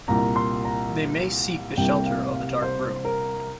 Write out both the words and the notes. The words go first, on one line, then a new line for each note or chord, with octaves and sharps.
They may seek the shelter of a dark room.
C2 A#2 A#3 A#5
C6
A#5
C2 C3 G3 A#3 G5
F5
F5
C5
A#4